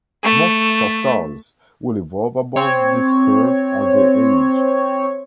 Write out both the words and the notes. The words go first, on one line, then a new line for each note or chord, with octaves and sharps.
Most stars will evolve above this curve as they age.
A3
C4 C#5